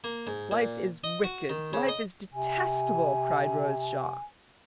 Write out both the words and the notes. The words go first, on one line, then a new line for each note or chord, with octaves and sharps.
"Life is wicked--life is detestable!" cried Rose Shaw.
A#3
G#2
A#2
D#5
F#4
D#3
C#3
D#5
C3 G#5